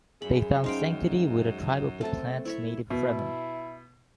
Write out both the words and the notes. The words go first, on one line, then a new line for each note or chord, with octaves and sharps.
They find sanctuary with a tribe of the planet's native Fremen.
F#2 G#4 B5
C#4 D#4 C5 F5 G5 C6
D#3 G#3
A3 C4 A4 E5 A5 A6
E4 C5 C#5 E5
B2 E4